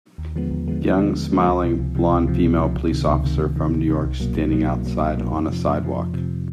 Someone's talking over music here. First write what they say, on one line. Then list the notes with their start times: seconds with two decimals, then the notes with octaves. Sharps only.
Young, smiling, blond female police officer from New York standing outside on a sidewalk.
0.18 D#2
0.36 D3 F3 G#3 B3
0.51 D#2
0.68 D3 F3 G#3 B3
0.84 D#2
0.99 D3 F3 G#3 B3
1.15 D#2
1.31 D3 F3 G#3 B3
1.48 C#2
1.64 C3 F3
1.80 C#2
1.96 C3 F3
2.12 C#2
2.27 C3 F3
2.43 C#2
2.60 C3 F3
2.76 C#2
2.92 C3 D#3
3.08 C#2
3.24 C3 D#3
3.39 C#2
3.56 C3 D#3
3.72 C#2
3.88 C3 D#3
4.04 C2
4.20 B2 F#3 A#3
4.36 C2
4.52 B2 F#3 A#3
4.69 C2
4.84 B2 F#3 A#3
5.01 C2
5.17 B2 F#3 A#3
5.33 F2
5.49 C3 F3
5.65 F2
5.81 C3 F3
5.97 F2
6.14 C3 F3